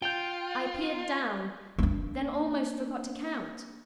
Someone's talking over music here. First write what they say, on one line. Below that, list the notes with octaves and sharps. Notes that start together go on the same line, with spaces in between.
I peered down, then almost forgot to count.
F4 G5 G6 F7 G7
A#3 D4